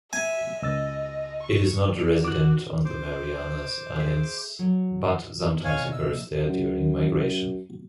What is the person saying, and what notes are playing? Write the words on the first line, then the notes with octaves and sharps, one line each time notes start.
It is not resident on the Marianas islands, but sometimes occurs there during migration.
E5 G#5
C#2 D#5 E6 A6
C#6
D5
F#4 D6 F#6
C4 C5 D6
G#4 E5
F#3
B3 D#4
A#2 C#5 D#5 F5 G#5
C3 C5 D5
E5 E6
F3 A#3
F#2